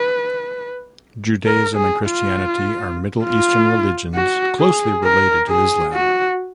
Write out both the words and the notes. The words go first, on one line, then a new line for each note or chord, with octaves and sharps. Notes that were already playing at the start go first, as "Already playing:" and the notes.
Judaism and Christianity are Middle Eastern religions closely related to Islam.
Already playing: B4
A#4
G#4
F4
F4
F#4
G#4
A#4
G#4
F#4